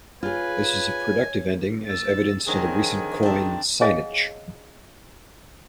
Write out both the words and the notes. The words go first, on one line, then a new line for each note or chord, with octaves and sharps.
This is a productive ending, as evidenced in the recent coin, "signage".
F4 G#4 B4 C#5 G#5
E6 A6
D3 D#3 F3 F#3 C4 G#4 G#5
C4 D4 E5 A5
G#4 C#5 D#5 F5 F#5 G#5